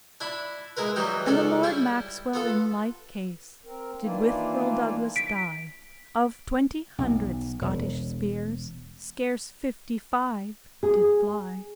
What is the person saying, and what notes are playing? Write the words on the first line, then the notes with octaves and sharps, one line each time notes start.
And the Lord Maxwell in like case Did with Erle Douglas dye; Of twenty hundred Scottish speres, Scarce fifty-five did flye.
D4 E4 B5
G#3 E4 A#4 B4
E3 F#3 G3 D#4 G4
C#2 C#4 D4 A4 D5
G3 E4 G4
B3 F4 A4
C4 A#4
D#3 E3 A#3 D4 E4 F4
B6 D7
B1
E1
G#4